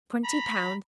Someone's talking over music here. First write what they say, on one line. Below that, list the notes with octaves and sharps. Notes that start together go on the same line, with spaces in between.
Twenty pounds!
A#5 B5